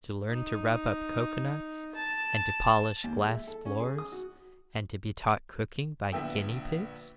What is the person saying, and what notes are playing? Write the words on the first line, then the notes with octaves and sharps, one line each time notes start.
To learn to rub up cocoa nuts, and to polish glass floors, and to be taught cooking by guinea pigs!
D#4
A5
D#2
G#3
E5
A4
C#4
G#4
D#6
F#4
A#1 D3 B3 E5 G5 E6